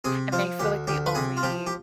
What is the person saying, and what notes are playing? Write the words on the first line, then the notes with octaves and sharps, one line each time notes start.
and they feel like the only
C3 G#4
F3 F4
D2 G4
D2 G4
B4
C3 G#4
F4
F3 G4
G4